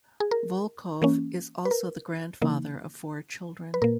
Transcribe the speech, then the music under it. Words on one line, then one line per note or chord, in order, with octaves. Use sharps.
Volkov is also the grandfather of four children.
G#4
A#4
E3 A#3 C#4
B4
A#4
C#3 E3 A#3 D#4
B4
A#2 A#3 A#4